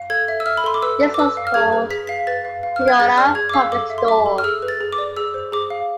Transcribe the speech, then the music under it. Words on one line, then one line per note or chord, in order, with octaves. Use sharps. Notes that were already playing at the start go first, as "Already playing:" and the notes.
This was called "Toyota Public Store".
Already playing: F5
A4 G#6
E5
E6
E5 F6
B5
A4 C6
D6
B4 E6
D5
D6
B4 E6
F5
F6
G#4 G#6
B4
G#4 B6
F5 B6
B4 A6
F5
F5
F6
B4
G#6
G#4 A6
D5 F6
G#4 G#6
D6
F5 E6
A4 D6
E5
C6
E5 D6
A4
F6
G#4 E6
B4
A6
G#4
D6
D5
G#4 E6
C5
G#4 D6
F5